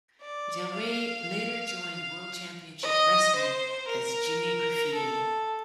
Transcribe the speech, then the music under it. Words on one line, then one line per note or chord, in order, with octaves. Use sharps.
Del Ray later joined World Championship Wrestling as Jimmy Graffiti.
D5
F5
D#5
C5
A#4
A4